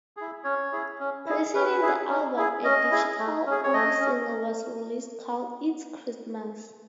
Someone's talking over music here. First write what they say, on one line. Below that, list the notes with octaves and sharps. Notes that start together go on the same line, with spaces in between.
Preceding the album a digital-only single was released called "It's Christmas".
E4 G#4
C#4 C#5
E4 G#4
C#4
E4 G#4
C#4 B4
E4 G#4
C#4
E4 G#4
C#4 D#5
E4 G#4
A3
C#4 G#4
C#5
A3 D#5
C#4